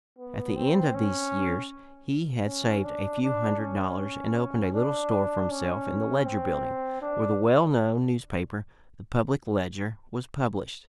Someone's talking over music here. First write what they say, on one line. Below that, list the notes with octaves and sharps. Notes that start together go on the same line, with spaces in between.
At the end of these years he had saved a few hundred dollars, and opened a little store for himself in the Ledger Building, where the well-known newspaper, the "Public Ledger," was published.
B3
C4
C#4
C#4
D4
D4
C#4
D4
C#4
C4
D4